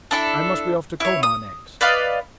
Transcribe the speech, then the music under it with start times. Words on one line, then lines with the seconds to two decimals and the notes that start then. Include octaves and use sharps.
'I must be off to Colmar next.'
0.11 D4 E4 A4
1.00 E4 C#5
1.23 D#6
1.81 B4 D5 D#5 F5